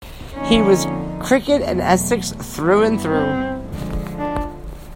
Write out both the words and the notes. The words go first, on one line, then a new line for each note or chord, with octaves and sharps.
He was cricket and Essex, through and through..
F2 D3 F3 A#3 C#4 D#4
E2 B2 F#3 A3
G2 E3 G3 B3 E4
C4
D3 F3 G#3
D4